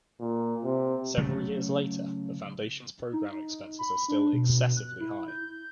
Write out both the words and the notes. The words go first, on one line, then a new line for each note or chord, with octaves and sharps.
Several years later, the Foundation's program expenses are still excessively high.
A#2
C3
C#3 F#3 A3
D#4
B5
D4
B2
F#6
E4
G6